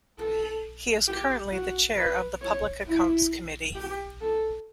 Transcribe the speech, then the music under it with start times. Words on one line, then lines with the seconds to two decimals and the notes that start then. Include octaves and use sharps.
He is currently the Chair of the Public Accounts Committee.
0.18 A4
1.08 G4
1.52 F#4
1.97 B4
2.42 C#5
2.87 E4
3.75 G4
4.21 A4